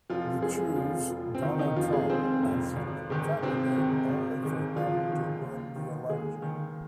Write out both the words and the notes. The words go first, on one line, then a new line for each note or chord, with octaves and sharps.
The choose Donald Trump as a candidate, only for him to win the election.
F1 F3 F4
F2 F3 G#3 G#4
F1 F3 F4
F2 F3
C4
F1 D#3 D#4
D#3 D#4
F2 C3 F3 F4
G#3 G#4
F1 C4 C5
F2 C3
G#1
G#2 D#3
G#1 C3 C4
G#2 D#3
G#1
G#2 D#3
G#1 F3 F4
G#2 D#3
D#2
D#3
D#2 G#3 G#4
D#3